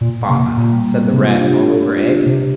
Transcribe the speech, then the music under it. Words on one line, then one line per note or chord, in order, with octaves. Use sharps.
'Bother!' said the Rat, all over egg.
A#2 A#3
C3 A#3
A#2 A#3
G3
A#3
C4
C3 G4
F4
D4
F4
C3 G4